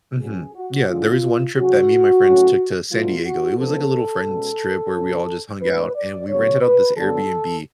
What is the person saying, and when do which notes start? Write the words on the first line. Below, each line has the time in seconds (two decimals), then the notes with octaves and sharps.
Mhm. Yeah. There is one trip that me and my friends took to San Diego. It was like a little friend's trip where we all just hung out, and we rented out this Airbnb.
0.21 B2 F#3 C#4 G#4
0.55 F#4
0.89 D3 G#3 C#4 F4
1.56 C#3 F#3 C#4 F#4
2.24 A2 F#3 C#4
2.91 B2 F#3 A3 F4
3.25 F#4
3.58 F3 B3 D4 A4
4.26 B2 G#3 C#4
4.94 B2 F#3 C#4
5.60 A2 G#3 D4 B4
5.94 D5
6.28 C#3 F#3 B3 C#5
6.62 B4
6.96 D3 F#3 B3 D4 A4